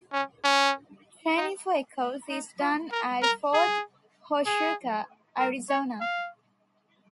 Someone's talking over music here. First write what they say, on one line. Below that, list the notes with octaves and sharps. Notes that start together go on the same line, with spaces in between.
Training for "Echoes" is done at Fort Huachuca, Arizona.
C#4
C#4
D#4
D#4
F4
A#4
A#4
G#4
G#4
A#4
C#5
F5